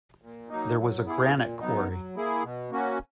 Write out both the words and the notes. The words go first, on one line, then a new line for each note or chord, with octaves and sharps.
There was a granite quarry.
A#2
F#3 A#3 D#4
F#3
B3 E4 G#4
A#2
F#3 B3 D#4
F#3
A#3 E4 G#4
B2
A#3 C#4 F#4